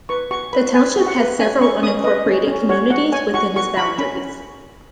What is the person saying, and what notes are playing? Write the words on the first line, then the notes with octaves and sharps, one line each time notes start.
The township has several unincorporated communities within its boundaries.
B4 C#6
F#4 C#6
B4 B5
B4 G#5
F#4
F#5
B4
C#4 G#5
C#4 C#6
C#4 D#6
B4 D#5
C#4
C#4
F#4 C#5
F#4 F#5
C#5 G#5
F#4 C#6
F#4 C#6
F#4 B5
C#4 B5